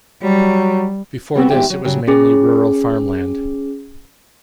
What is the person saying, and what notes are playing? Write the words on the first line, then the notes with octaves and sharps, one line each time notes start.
Before this it was mainly rural farmland.
F#3 G3
G3 B3 C4 F#4
E2 G#2 E3 G4 E5 G5
F#3
C#3 F#3 G3
C#4 G#4